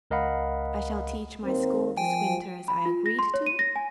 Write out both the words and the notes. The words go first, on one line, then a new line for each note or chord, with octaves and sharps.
I shall teach my school this winter as I agreed to.
C#2 A#4 D#5 F5 F#5 B5
D#2 C4 A#4
F3 G5 G#5
B5
F4
A#6
C6
C#5
D#7
A#6
G#5